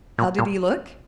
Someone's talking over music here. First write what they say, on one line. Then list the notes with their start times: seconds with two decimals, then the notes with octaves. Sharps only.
How did he look?
0.18 A#2
0.39 A#2